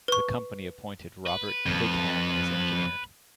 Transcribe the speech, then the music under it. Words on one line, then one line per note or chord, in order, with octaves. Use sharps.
The company appointed Robert Higham as engineer.
B4 C#6
B4
F2